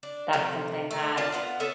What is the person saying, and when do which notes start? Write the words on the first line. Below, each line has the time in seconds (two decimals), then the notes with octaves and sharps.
That's something that,
0.03 D4
0.33 C3 F3 A3
0.91 A3
1.17 A#2 D4 F4 A5
1.32 B3 F4 F#5
1.60 B3 A4 C#5 E5